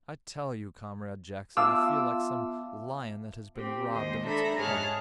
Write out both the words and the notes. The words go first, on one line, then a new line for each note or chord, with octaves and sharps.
I tell you, Comrade Jackson, I feel like some lion that has been robbed of its cub.
B3 F4 E5 F5 A5 D6 E6
C4 G4
D#2 G#3 C5 D#5
D4 A4 E5 A#5 B5
G#2 G#4 C#5 A5 F6 F#6